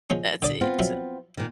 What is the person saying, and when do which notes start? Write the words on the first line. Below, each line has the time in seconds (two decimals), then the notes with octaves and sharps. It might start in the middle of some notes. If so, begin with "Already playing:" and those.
That's it, so
0.10 F3 G#3 C#4
0.42 D3 D5 D#6
0.61 B3 C4 F4
0.79 F3 F#3 E4
1.37 A#2 D#3